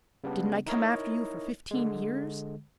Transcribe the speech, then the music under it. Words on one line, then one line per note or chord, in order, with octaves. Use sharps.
Didn't I come after you for fifteen years?
C#3 G3 B3 D4
D#4 E4 A#4 C#5 D#5
D3 G#3